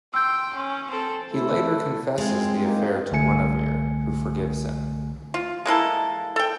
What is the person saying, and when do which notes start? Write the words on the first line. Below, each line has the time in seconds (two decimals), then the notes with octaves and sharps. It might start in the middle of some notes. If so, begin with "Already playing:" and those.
He later confesses the affair to Guinevere, who forgives him.
0.14 G5 C6 E6 G6
0.56 C#4
0.91 C4 A4
1.32 A3 E4 A4
2.18 G#3 C4 F4 G#5
2.62 A#3 D#4
3.11 C2 D3 A3 G#5 C#7
5.34 F4
5.66 G#3 A#3 E4 A4
6.36 A4 G5